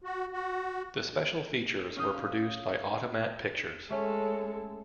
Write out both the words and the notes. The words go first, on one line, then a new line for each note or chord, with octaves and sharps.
The special features were produced by Automat Pictures.
F#4
F#4
C#4 F5 D#6 G6
G#3 A3 C#4 A4